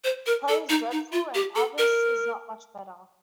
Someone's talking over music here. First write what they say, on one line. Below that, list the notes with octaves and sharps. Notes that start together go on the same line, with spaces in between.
The play is dreadful, and Avice is not much better.
C5
A#4
A4
D#4
D#4
F4
G4
A4
A#4